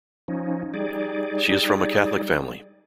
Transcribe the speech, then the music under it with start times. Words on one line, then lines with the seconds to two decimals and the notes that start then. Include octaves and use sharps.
She is from a Catholic family.
0.28 F3 C#4 D#4
0.74 G3 D#4 G#4 D5